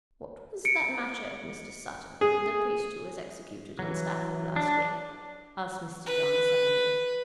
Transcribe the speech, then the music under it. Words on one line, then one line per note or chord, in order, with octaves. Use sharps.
"What was that matter of Mr. Sutton, the priest who was executed in Stafford last year?" asked Mr. John suddenly.
C#7 D7
G#4
E3 F#3
D4
B4